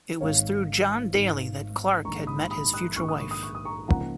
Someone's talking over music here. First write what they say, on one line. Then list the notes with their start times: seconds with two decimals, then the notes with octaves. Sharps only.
It was through John Daly that Clarke had met his future wife.
0.21 G#1 G#2 D#3 C#5 F5
1.13 G#1 G#2 D#3
2.05 A#1 G#2 D#3 A#5 C#6
2.27 B5 D#6
2.51 B5 D#6
2.73 D#6 F#6
2.96 A#1 G#2 D#3 C#6
3.09 D#6
3.20 C#6
3.31 D#6
3.43 C#6
3.55 D#6
3.65 A#5 C#6
3.88 C#2 C#3 F3 A#3 D#4 F#5 A#5